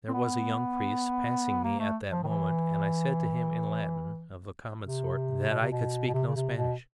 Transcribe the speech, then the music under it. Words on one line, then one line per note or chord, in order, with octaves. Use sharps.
There was a young priest passing me at that moment, and I said to him in Latin of the common sort that I could speak no Spanish.
C4
B3
A#3
A3
F3
D#3
E3
C3
B2
C3
B2
B2
C3
C#3
C3
B2